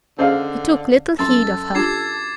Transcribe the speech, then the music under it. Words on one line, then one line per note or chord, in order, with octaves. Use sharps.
He took little heed of her.
D3 C#4 G#4 C5 D#5 F5
F#2 A4 C6 A6
D4 F4 G4 D6 G#6 C7